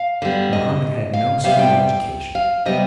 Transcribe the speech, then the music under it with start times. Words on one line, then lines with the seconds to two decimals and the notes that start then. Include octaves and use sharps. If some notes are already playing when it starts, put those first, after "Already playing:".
Mohammed had no school education.
Already playing: F5
0.22 D3 G3 B3
0.53 D#5
1.13 F5
1.44 C3 G3 B3 F5
1.59 G5
2.35 F5
2.65 C3 G3 B3 D#5